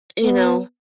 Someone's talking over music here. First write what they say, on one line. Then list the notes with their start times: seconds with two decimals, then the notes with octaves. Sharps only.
you know?
0.24 B3